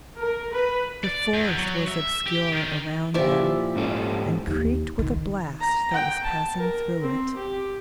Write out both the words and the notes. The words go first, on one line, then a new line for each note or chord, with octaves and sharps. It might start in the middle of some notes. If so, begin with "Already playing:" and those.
The forest was obscure around them, and creaked with a blast that was passing through it.
A#4
B4
D5
E2
F#3
E5
G4
D#3
A#2 F3 E4 G4 D5 E5
G#2 C#4 A4
D#2
D#3
A#5
G5
A5
A#4
C4
G4